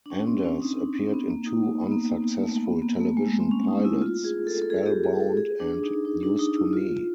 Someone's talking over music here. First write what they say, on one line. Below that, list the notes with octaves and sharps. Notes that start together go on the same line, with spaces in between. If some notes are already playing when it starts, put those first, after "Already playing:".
Anders appeared in two unsuccessful television pilots, "Spellbound" and "News To Me".
D4
C#4
C4
C#4
D#4
D4
C#4
C4
B3
A#3
D#4
A#3
B3
A#3
B3
A#3
A3
A#3
B3
A#3
A3
G#3
C4
C#4
D#4
E4
F4
G#4
A4
A4
G#4
G4
G#4
A4
G#4
D4
D#4
D#4
D4
D#4
E4
F4